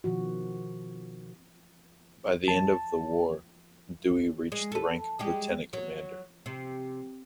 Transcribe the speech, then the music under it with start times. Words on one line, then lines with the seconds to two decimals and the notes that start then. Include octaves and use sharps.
By the end of the war, Dewey reached the rank of lieutenant commander.
0.04 B2 D#3 F3 F#4
2.48 A5
4.52 G#3
4.72 A4 B4
5.19 G3 G#3 G4
5.73 F#3
6.46 C3